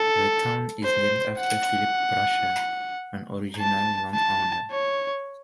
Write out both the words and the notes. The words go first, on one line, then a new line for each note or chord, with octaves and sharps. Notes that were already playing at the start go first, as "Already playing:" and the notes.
The town is named after Philip Brasher, an original landowner.
Already playing: A4
C5
F#5
A5
A5
C#5